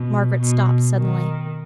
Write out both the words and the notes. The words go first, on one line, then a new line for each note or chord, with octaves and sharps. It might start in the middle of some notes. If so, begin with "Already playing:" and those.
Margaret stopped suddenly.
Already playing: B2
B2
D#3